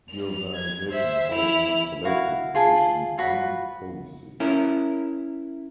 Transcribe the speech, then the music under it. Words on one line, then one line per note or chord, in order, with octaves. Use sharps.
The organisation holds no collective position on policy.
F7
G#6
C5 E5
E4 F7
E4 F#4 F5
F4 G#4 A5
F4 F#4 B5
C#4 E4 A#4